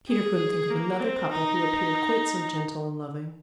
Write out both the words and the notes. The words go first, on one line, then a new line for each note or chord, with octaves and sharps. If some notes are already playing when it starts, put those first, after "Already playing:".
Peter couldn't think of another couple who appeared quite so gentle and loving.
G#4
A#3
C4
D#4